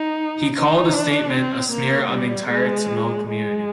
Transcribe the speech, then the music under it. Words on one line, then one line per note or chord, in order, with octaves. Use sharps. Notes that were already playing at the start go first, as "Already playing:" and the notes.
He called the statement, a smear on the entire Tamil community.
Already playing: D#4
D#4
D4
C4
A#3
G3
G#3
G#3